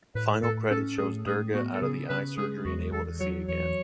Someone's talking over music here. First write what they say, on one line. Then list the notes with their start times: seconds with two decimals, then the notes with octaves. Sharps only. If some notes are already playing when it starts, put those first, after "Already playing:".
Final credit shows Durga out of the eye surgery and able to see again.
0.15 A2 B4
0.43 A2 A4
0.70 C#4 A4
0.98 A2 G#4
1.26 A2 G#4
1.54 B3 F#4
1.74 A4
1.82 C#3 G#4
2.09 C#3 B4
2.37 G#3 G#4
2.65 E2 F#4
2.93 E2 A4
3.20 F#3 C#5
3.48 E2 C#5